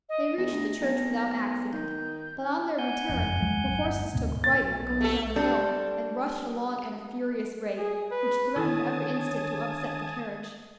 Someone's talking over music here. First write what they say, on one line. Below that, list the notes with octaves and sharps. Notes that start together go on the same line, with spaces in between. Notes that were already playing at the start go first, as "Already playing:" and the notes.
They reached the church without accident, but on their return the horses took fright while going down a hill, and rushed along at a furious rate, which threatened every instant to upset the carriage.
D#5
E2 A#6
D2
B1
D#3 G6
F#5 G#5 G6
F#1 F2
D#2 F#3 G#3
G1
D2 G#2 B2
A#2 A6
B1
A3 A4
G3 C4 D4 A4
G#4
B4
D3 D#3 E4 A4 C#5 G#5 A5 D#6